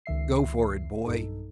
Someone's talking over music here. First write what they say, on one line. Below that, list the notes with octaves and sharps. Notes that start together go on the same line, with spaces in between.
Go for it, boy.
C#2 D#3 E5 C7
B1 G2 D#4 A4